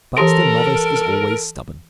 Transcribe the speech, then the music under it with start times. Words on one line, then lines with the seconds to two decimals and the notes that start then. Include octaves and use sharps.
But the novice is always stubborn.
0.18 E3 G4 A4 A#4 C6